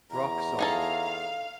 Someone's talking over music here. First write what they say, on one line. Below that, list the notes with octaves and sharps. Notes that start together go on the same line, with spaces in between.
Rock solid.
E2 A#5
D#4 G#4 A4 F5